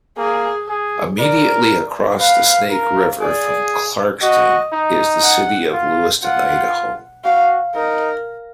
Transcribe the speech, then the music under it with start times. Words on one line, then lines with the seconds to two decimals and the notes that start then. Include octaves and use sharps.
Immediately across the Snake River from Clarkston is the city of Lewiston, Idaho.
0.18 A#3 G#4
0.69 G#4
1.19 A#4 D5
2.20 B4 F5
2.71 A#4
3.21 G#4 D5
4.22 F#4 D#5
4.72 D#4
5.23 F#5
5.73 F4
6.24 F4 F#5
7.24 F#4 F5
7.75 D#4 A#4